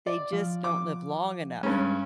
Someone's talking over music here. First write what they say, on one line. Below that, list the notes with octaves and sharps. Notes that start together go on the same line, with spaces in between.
they just don't live long enough.
D5
F3
D6
G2 G#3 C#4